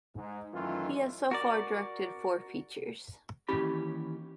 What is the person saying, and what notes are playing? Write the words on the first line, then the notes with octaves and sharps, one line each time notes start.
He has so far directed four features.
G#2
F#2 D#3 E3 A3 F4
F#4 A#4 D5
D#2 E3 C#4 G4 B5